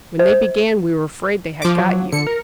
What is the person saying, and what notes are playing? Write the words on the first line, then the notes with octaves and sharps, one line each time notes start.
When they began we were afraid they had got you.
C5
F3 D6
F#3
D3 C#7
A#4